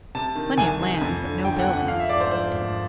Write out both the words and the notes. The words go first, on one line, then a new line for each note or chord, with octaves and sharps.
"Plenty of land, but no buildings," said he.
C3 A5
D#3
C2 G#5
C3
F2
D3
G1 G5
F#5
F2
F#5
F3 F5
E5
G#2 D5
C5
F3 C5
G#1